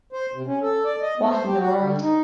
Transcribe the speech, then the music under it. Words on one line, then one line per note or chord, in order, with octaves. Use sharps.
What in the world?
C5
C3
C#4
A4
D5
D#5
B3
C5
G4
F#4
D3
D#4